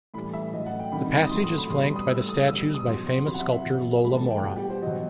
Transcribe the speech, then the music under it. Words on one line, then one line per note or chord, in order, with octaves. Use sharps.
The passage is flanked by statues by famous sculptor Lola Mora.
A2 E3 G3 B5
E5
A2 F#3 D#5
F#5
G5
C3 D#3 G3 B5
B5
D#6
A2 F#3 C6
D#6
B5
B2 G3 C6
B5
D#6
A2 G3 E6
D#6
B2 G3 E6
D#6
B2 F#3 C6
C6
C3 F#3 B5
F#5
E5
E5
B2 F#3
A2 E3 G3 B5
A5
G5
B2 G3 F#5
G4
C5
B2 F#3 D#5